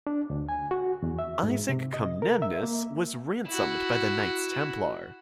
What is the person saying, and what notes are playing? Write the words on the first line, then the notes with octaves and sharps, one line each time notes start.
Isaac Comnenus was ransomed by the Knights Templar.
D4
D2
G#5
F#4
E2
E5
G#2
C3
D#5
A#4
E5
A#3
E4 F#4